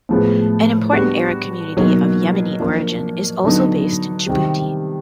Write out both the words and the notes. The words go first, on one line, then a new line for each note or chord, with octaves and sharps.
An important Arab community of Yemeni origin, is also based in Djibouti.
A2 F3 G#3 B3
G3 B3 D4 F#4
B2 F#3 A#3 D#4 F#4
F3 A#3 D4
D3 F#3 B3 D#4
C3 D#3 G3